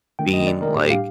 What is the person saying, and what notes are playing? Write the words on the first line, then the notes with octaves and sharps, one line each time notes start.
being, like,
D#3 A3 D4 G5
D#5
D5
A#4
A2 G3 D4 G4
F5